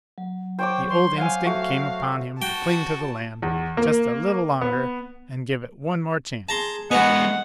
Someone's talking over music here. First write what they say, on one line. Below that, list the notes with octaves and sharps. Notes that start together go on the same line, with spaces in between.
The old instinct came upon him to cling to the land just a little longer and give it one more chance.
F#3
C5 C#5 G5 D6
C6
F5 F#5 G#5
A3 F#4
F#4 G5 A5
E2
A#3
B3
G#4 A5 A#5 C6
G#3 B3 F#4 B4 D#5 F#5 G#5